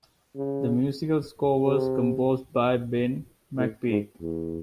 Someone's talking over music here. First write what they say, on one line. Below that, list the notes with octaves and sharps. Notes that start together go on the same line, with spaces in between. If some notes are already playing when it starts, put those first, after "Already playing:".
The musical score was composed by Ben McPeek.
C#3
C3
A2
G#2
E2